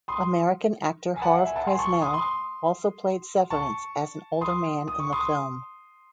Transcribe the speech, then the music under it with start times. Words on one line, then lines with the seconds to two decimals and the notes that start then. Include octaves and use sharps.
American actor Harve Presnell also played Severance as an older man in the film.
0.08 C6 D#6
1.16 G#5
1.22 F#5 A5
1.34 E5
1.45 E5 G#5
1.56 F#5 A5
1.67 G#5 C6
1.79 A5 C#6
2.01 C6 D#6
2.13 C6 D#6
3.50 A5 C#6
4.41 C6 D#6
4.88 D#6
4.99 C#6
5.12 C6 D#6